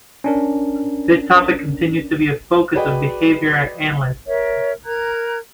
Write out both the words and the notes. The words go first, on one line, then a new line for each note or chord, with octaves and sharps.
This topic continues to be a focus for behavior analysts.
C#4 D4 A#4
F#4 G#4 B4 D5 D#5 G5
A#4 C#5 E5
A#4 A#5 F#6 G#6